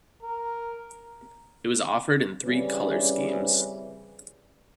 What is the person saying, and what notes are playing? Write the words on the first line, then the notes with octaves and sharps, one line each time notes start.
It was offered in three colour schemes.
A#4
C#3 E3 G3 C4 C#4 B4